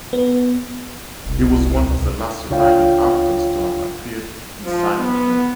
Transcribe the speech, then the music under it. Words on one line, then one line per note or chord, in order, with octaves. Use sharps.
He was one of the last surviving actors to have appeared in silent film.
B3
F1 C2
D2
C#2 D4 F4 C#5 F5 G5
F3
B3